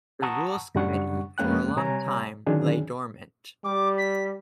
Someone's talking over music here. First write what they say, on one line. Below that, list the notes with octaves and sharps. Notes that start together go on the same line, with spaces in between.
The Rules Committee, for a long time, lay dormant.
F#5 A5 A#5 C#6 D#6 E6
F#2 C#3 G3 D4 F#5 C#6
F2 G#3 A#3 C#4 G5 F#6
C3 G3 C#5 G#5 A#5
D3 D#3 F#3 C#4 D4 G#4
G3 D6
B6